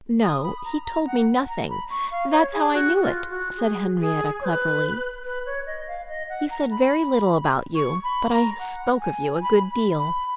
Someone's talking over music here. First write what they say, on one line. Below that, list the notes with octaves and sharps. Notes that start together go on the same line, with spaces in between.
"No, he told me nothing; that's how I knew it," said Henrietta cleverly. "He said very little about you, but I spoke of you a good deal."
D#6
B5
A#5
A#5
F#5
A#5
B5
C#6
F5
C#5
G#4
F#4
F4
F#4
G#4
G#4
C#5
B4
B4
C#5
D#5
F5
D#5
F#5
A#5
B5
C#6
B5
A#5
F#5
G#5
B5
B5
B5